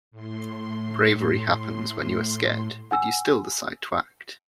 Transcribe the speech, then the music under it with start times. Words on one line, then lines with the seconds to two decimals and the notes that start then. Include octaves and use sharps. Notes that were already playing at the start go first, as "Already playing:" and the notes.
Bravery happens when you are scared, but you still decide to act.
0.11 A2 C6
2.91 F#5 G#5 E6